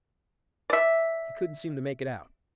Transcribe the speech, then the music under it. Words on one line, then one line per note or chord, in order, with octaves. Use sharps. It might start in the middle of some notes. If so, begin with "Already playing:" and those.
He couldn't seem to make it out.
D5 E5